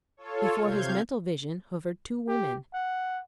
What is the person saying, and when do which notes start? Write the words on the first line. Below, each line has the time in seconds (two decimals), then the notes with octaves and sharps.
Before his mental vision hovered two women.
0.17 F4 A4 C#5
0.63 C3 F5 G6 G#6
2.28 G4
2.74 F#5